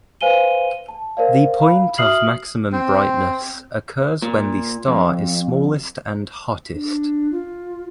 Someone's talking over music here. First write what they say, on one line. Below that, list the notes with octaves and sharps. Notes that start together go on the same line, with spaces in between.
The point of maximum brightness occurs when the star is smallest and hottest.
B4 C5 F5 G#5 D#7 G7
A5
A#4 C5 D5 F5
F5 B5
F#4 E5 D#6 F6 C7 F#7
C4
A#2
F2
D4
F4